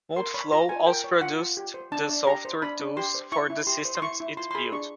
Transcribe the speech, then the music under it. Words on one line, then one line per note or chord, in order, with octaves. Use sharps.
Multiflow also produced the software tools for the systems it built.
A#4 C6
C#5 B5
F4 A#5
F4 G#5
A#4 G5
C#5
F4 F#5
F4
G4
C5
D4 A5
D4
G4 A#5
C5
D4 B5
D4
G4 C6
C5
E4 C#6
E4
G4 C6
C5
C6
E4 C#6
E4
F4 C6
C6
G#4 B5
D4 C#6